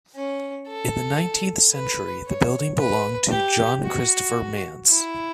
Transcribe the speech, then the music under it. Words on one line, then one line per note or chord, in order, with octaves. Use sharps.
In the nineteenth century, the building belonged to John Christopher Manse.
C#4
A4
B4
C#5
B4
G4
F#4
E4